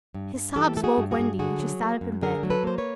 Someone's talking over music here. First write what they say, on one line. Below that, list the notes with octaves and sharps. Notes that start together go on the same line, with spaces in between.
His sobs woke Wendy, and she sat up in bed.
G2
G2
E3 G4 A4
A3 A4
F#4 G#4
G2
F#4 G#4
G2
D3 F#4 G#4
F#3
A#3
F#2
D3 G#4 A#4
F#3
A4 B4
A#3 C5
B4 C#5